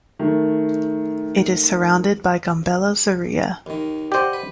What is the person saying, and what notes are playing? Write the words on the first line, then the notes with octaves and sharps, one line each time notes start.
It is surrounded by Gambela Zuria.
D#3 A3
D#2 D#3
G4 C5 D5 D#5 F#5
B4